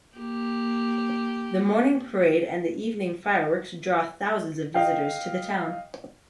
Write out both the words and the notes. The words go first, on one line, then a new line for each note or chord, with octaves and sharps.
The morning parade and the evening fireworks draw thousands of visitors to the town.
A#3 G4
D#5 F5 G5